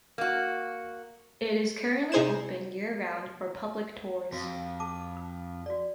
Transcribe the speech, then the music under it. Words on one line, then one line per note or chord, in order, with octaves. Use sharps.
It is currently open year-round for public tours.
A#3 F#4
C3 D#4 G#4 C5 G#6 E7
F2 F#4
A5 D6
F#4 D5